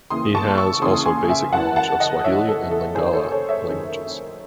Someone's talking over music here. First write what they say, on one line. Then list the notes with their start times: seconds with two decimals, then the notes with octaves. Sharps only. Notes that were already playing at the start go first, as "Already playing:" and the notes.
He has also basic knowledge of swahili and lingala languages.
0.10 D#2 C#3 E3 C6 D#6
0.35 A5 C#6
0.58 C#6 E6
0.82 D#2 C#3 E3 C6 D#6
1.06 G#5 C6
1.29 E5 G#5
1.53 F#2 E3 F#5 A5
1.76 F#5 A5
2.00 D#5 F#5
2.24 F#2 E3 C#5 E5
2.48 A4
2.71 A4
2.95 F#2 D#3 G#4 C5
3.06 C5
3.13 A4 C#5
3.31 A4 C#5
3.49 C#5 E5
3.67 F#2 D#3